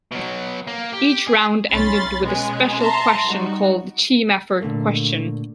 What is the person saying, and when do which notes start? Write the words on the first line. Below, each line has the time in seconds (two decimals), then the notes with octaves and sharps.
Each round ended with a special question called the "Team Effort Question".
0.12 B2 F#3
0.67 A#3
0.92 G4
1.27 G#4
1.70 B1 C#4 B5 C6 A6
2.23 B2 G#3 B3 C#4 G#4
2.79 E5 A5 A#5 C6
3.26 G3 D#4 F#4
4.61 A#2 D3 D#3 A3 A#3